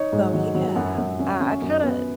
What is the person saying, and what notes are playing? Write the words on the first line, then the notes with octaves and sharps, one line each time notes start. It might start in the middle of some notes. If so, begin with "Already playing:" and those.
So, yeah, I I kinda
Already playing: D#4 C#5
G#2
F#3 D#5
F#3
F#2 F#5
F#2
C#4
C#4
F#2
B3